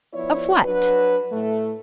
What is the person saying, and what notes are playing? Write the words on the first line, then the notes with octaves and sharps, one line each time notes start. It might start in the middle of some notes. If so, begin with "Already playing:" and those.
"Of what?"
F3 B3 E4 C#5 D5
F#3 D4 F#4 B4
A2 A3